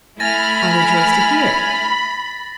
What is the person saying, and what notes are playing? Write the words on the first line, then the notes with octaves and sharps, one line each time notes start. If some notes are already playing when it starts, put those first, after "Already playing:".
'I rejoice to hear it.
A3 E4 G#5 B5 F6 A6 A#6